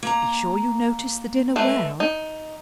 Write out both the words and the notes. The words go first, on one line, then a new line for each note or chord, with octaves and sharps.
Be sure you notice the dinner well.
A#3 A#5
G#3 A3 B4
D#4